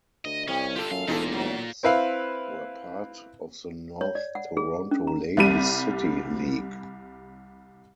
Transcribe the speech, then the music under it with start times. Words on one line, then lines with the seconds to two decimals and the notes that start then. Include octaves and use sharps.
The Pats were part of the North Toronto Ladies' City League.
0.25 D2 D#5
0.48 C2 G3 C#4
0.76 D3 F4 G4 A4
0.91 F#2 F5
1.08 E1 A#2 D#4 F4 A4
1.32 F#3
1.83 C4 E4 B4 E5 F5
4.01 C#5
4.15 D5
4.35 F#5
4.57 G#4
4.91 C#4
5.07 A#5
5.37 C2 G3 D#7